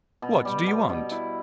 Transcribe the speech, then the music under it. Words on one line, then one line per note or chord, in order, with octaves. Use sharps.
"What do you want?"
B2
G3
B2
B2
E4